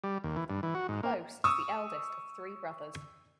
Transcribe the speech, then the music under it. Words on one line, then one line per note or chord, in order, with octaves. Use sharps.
Close is the eldest of three brothers.
G3
D#2
E3
G2
E3
F#4
G#2
A#3
C#6 D#6 E6